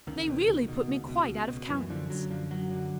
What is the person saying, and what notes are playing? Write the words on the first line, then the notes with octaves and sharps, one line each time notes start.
They really put me quite out of countenance.
C#2 D#3
B2
C#2
B2
C#2
B2
C#2
B2
F#2 E3
D3 F3
F#2 F#3
D3 F3
F#2 F#3
D3